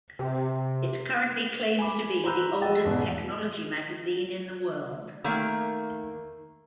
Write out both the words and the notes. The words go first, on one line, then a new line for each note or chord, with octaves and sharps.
It currently claims to be the oldest technology magazine in the world.
C3
G#5 B5 D6
C5 A#5 B5 E6 F#6 G6
D#5 G5 E6 A6
E2 G#2 B2
D#3 A3 A#3